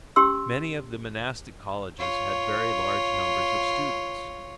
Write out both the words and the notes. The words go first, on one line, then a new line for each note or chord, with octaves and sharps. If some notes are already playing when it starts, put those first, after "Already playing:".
Many of the monastic colleges had very large numbers of students.
C#4 G4 G5 C6 E6
F4 C#5